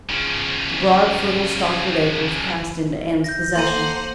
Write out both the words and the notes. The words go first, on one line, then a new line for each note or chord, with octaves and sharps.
The broad, fertile Stockard acres passed into Anne's possession.
C#3 F3
G6 A#6
A#3 A4 C5 F#5 A#5 C6 D#7